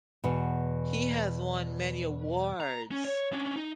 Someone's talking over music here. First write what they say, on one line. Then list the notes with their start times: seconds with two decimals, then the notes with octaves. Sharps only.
He has won many awards.
0.24 E2 B2
2.60 A#5
2.91 C#4
3.05 C#5
3.33 C#4 D4
3.56 D#4